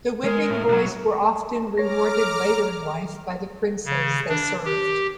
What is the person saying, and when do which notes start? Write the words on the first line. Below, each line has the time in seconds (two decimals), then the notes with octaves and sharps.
The whipping boys were often rewarded later in life by the princes they served.
0.24 G#3 A#4
0.50 A2
0.68 B1 F#3
1.78 C#5 A#5 D6 F6 A#6
3.85 C#3
4.29 D4
4.65 G4